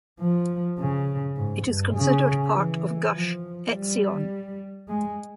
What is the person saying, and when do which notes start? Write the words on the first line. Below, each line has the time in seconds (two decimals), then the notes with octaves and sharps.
It is considered part of Gush Etzion.
0.20 F3
0.79 C#3
1.37 G#2
1.67 G2
1.95 C#3
2.54 E3
3.13 F3
3.71 G3
4.88 G#3